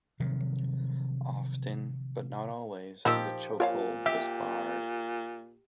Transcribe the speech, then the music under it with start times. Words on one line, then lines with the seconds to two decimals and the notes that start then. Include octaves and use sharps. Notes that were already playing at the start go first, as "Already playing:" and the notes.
Often, but not always, the chokehold was barred.
0.20 C3 D#3 F3 F#3
3.05 A#2 F3 D#4 F4 G4 A#4 E6
3.60 A#2 F4 A#4 C#5 F5
4.06 G4 E5